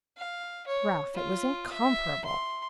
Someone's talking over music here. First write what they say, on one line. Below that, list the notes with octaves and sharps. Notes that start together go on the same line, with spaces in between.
"Ralph, it was incomparable!"
F5
C#5
F4
E5
C6